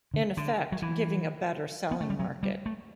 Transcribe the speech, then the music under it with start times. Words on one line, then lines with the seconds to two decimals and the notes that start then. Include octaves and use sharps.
In effect, giving a better selling market.
0.14 D3
0.37 D3
0.72 F#3
0.82 E3
1.91 B3
2.01 A3
2.10 G3
2.19 F#3
2.43 G3
2.66 A3